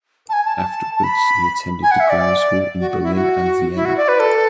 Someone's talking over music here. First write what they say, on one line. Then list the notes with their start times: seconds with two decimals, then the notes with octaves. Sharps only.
Afterwards he attended the grammar school in Berlin and Vienna.
0.29 A5
0.33 G#5
0.45 A5
0.58 A5
0.96 A5
1.04 B5
1.83 G#5
1.91 F#5
2.00 E5
2.10 D5
2.80 F#4
2.91 F#4
3.03 E4
3.15 F#4
3.75 E4
3.85 F#4
3.97 D5
4.08 B4
4.20 A4